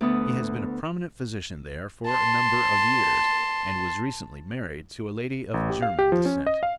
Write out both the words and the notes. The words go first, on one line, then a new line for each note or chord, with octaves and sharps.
He has been a prominent physician there for a number of years, and was recently married to a lady of German descent.
D2 A3 B3 B4 D#6
A5 C6
A1
G4
F5
G4
F3
C#4
D#5
F5